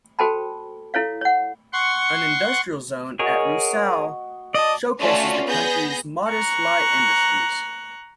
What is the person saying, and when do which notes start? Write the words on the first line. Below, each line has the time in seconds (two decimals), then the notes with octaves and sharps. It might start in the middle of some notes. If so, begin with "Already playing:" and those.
An industrial zone at Rusayl showcases the country's modest light industries.
0.19 F#4 A4 C5 G5 A5 B5
0.94 E4 A4 C#5 F5
1.21 C#5 F#5
1.73 F#5 C6 C#6
3.19 F#4 G#4 A#4 C#5 D#5
4.54 D5 D#5 A5
5.01 A3 C#4 F4 F#4 D5
5.46 B3 G#4 G6 A#6
6.29 A#5 C#6 F#6